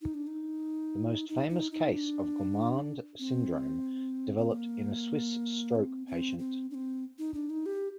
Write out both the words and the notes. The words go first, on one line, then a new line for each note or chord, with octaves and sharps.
The most famous case of gourmand syndrome developed in a Swiss stroke patient.
D#4
D4
D#4
D#4
D#4
D#4
D4
C4
C4
C4
A#3
C4
C4
C4
D4
C4
D#4
D4
D#4
G4